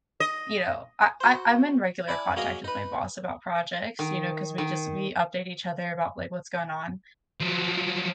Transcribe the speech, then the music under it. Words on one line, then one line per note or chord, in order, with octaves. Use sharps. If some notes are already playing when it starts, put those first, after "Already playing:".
you know, uh I I'm in regular contact with my boss about projects, you know, 'cause we just we update each other about, like, what's going on.
D#5
F#4 C5
E4 D5 G#5 A5 D6
F#3 A#3 G#4 A#4 D#5 F5
D#4 B4
D#3
D#3
F3 F#3